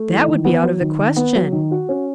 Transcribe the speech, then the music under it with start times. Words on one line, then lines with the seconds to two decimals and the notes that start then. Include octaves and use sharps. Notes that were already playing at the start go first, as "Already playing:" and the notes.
"That would be out of the question."
Already playing: A3
0.10 E3
0.27 D#3
0.45 B3
0.63 F#3
0.80 D#3
0.99 D#3
1.16 B3
1.35 F#3
1.52 D#3
1.71 F#4
1.89 C#4